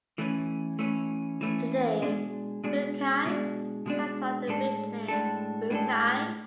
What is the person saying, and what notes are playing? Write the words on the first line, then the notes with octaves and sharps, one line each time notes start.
The name "Rukai" comes from the village name "Rukai".
E3 A3 C#4
E3 A3 C#4
E3 A3 C#4
B2 G#3 D4
B2 G#3 D4
B2 G#3 D4
B2 G#3 D4
A2 G#3 D4 A4
A2 G#3 D4 A4
A2 G#3 D4 A4